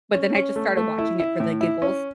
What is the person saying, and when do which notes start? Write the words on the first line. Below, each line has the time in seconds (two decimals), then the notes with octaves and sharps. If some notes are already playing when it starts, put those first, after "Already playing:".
but then I just started watching it for the giggles.
0.14 C#4
0.35 C#4
0.56 A3
0.77 A3
0.98 E4
1.20 E4
1.40 A2
1.61 E4
1.82 C#4